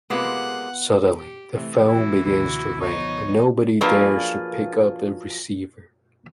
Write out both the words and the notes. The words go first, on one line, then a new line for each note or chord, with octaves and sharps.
Suddenly, the phone begins to ring, but nobody dares to pick up the receiver.
C3 G#3 A#3 B3 F4 B4 F#5
G4
C3 E3 A3
E3 E4 F#4
C#2 B2 D3 E4
F3 B3 D#4 C#5
F3 F#3 A#3 D4 G#4 B4